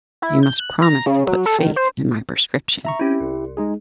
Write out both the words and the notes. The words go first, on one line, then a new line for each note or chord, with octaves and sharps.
"You must promise to put faith in my prescription."
E4
G6
F#6
A#5
C#3
F#3
A4
D#3
C5
E5 A#5 C#6
C4 C#4 E4 G4
C2
G#3 D#4 G#4